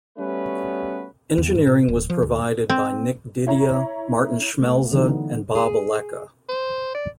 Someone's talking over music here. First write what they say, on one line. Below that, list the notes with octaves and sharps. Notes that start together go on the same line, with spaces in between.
Engineering was provided by Nick Didia, Martin Schmelze, and Bob Alecca.
G3 A3 B3 C#4 F#4 B4
E2
G#2
A#2
D1
F3
D2
C4
E4 C#5 A#5
A3 B3
D3 E3 F#3 D#4
B3
G#4
C5
D5